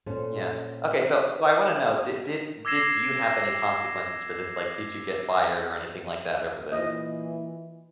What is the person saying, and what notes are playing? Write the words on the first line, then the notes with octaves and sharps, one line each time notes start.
Yeah. Okay, so so I wanna know, did did did you have any consequences for this? Like, did you get fired or anything like that over this?
A#2 C#4 A4 C5
D6 E6 G#6 A#6 C7 E7
A#2 E3 D#5